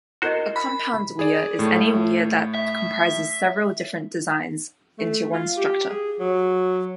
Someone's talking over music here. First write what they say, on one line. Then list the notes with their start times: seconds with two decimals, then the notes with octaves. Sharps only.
A compound weir is any weir that comprises several different designs into one structure.
0.22 E4 F#4 A#4 C5 D#5
0.56 B5
1.19 G#4 D5
1.59 A2 A3
2.54 E5
4.98 A3
5.33 F4
5.57 G4
5.89 G#4
6.20 F#3